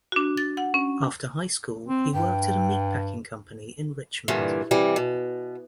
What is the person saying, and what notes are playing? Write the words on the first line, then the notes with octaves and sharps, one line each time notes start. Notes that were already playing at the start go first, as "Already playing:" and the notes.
After high school, he worked at a meat packing company in Richmond.
D4 F#4
A6
F#5
C#4
C4
G2 G5
G2 A#2 D3 E3
C3 E3 G3
B2